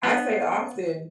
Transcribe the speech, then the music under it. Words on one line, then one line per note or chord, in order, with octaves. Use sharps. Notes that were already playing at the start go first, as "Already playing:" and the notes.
I say often
B3